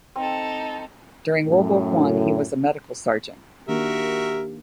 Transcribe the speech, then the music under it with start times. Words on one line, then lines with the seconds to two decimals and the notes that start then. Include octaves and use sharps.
During World War One he was a medical sergeant.
0.16 C4 D#4 A4
1.50 F#2 A2
3.68 D#3 A#3 D4 F#4 G4 A#4 E5